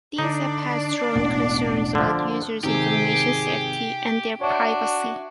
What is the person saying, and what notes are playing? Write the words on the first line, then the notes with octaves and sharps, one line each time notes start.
These app has drawn concerns about users information safety and their privacy.
D3 D4 D#4 D5
E1 A1 B3
D3 F3
G#1 C3 D#3 G4 G#4
D4 F#4 C#5 E5